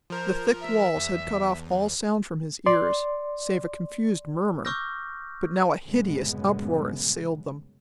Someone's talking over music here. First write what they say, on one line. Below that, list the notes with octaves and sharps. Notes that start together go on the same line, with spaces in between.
The thick walls had cut off all sound from his ears, save a confused murmur, but now a hideous uproar assailed them.
F3 A#4 C5
E5
E2
D5 C6
C#6 D6 E6 F6 G6 A#6
C2 F#2 A2 C#3 G#3 B3